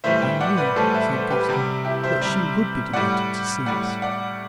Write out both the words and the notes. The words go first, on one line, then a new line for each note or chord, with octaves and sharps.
"I knew," said Gaston, "that she would be delighted to see us."
A2 E3 G3 C5 E5
E5 G5
D5 F#5
B4 D5
A2 E3 G3 A4 C5
C5 E5
A4 C5
G4 B4
C3 G3
E4 G4
C5 E5
C3 G3
A2 G3 D5 F#5
A2 G3 D5 F#5
D5 F#5